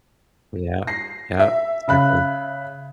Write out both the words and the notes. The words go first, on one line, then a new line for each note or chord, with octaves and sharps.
Yeah, yeah, exactly.
A#6 C7
E5
C#3 B5 F#6